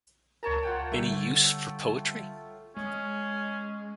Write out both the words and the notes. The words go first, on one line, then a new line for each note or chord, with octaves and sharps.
Any use for poetry?
C#2 A#4 C#5 A5 A#5
F4 F#5 G5
D3 G3 A3
G#3 C#4